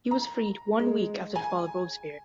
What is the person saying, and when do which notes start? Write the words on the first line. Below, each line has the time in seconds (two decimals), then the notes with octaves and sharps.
He was freed one week after the fall of Robespierre.
0.11 A#5
0.79 G#3
1.36 G#5